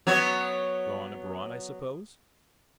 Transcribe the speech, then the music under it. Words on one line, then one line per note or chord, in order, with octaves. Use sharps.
"Gone abroad, I suppose?"
F#3 B3 C#5